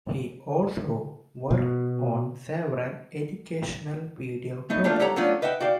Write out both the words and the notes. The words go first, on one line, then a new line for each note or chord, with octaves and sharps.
He also worked on several educational video programmes.
B2
A3 B3 D#4
G3 A3 A#3 D4 F4
G4 A4 C#5 F#5 A#5
F#3 A3 C#4 D4 F4
B4 D#5 E5 F#5 G5
F#4 D5 F5 G5